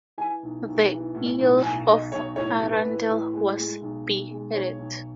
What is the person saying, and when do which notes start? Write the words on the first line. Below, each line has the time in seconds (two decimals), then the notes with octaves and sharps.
The Earl of Arundel was beheaded.
0.18 E3 G#5
0.43 B1
0.67 B1
0.91 E3
1.15 A2
1.39 B1
1.63 B1 G#5
1.87 B1 D#5
2.12 B1 C#5
2.36 A2 C#5
2.61 E3
2.72 B4
2.85 A2
3.09 A2
3.33 G#3
3.58 G#3
3.81 B1
4.06 B1
4.30 G#3
4.54 B1 C#5
4.79 B1